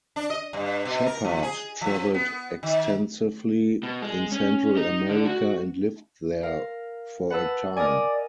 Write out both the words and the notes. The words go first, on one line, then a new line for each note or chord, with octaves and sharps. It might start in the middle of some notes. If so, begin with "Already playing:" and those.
Shepard traveled extensively in Central America and lived there for a time.
D4
D#5
G2
B2
A#4
F3
G#4
F3
B3
D#3
B2
G#3
C#4
D#4
D3
F#4
A#4 F5
B4 F#5 A5 E6
A#4 D5 D#5 G#5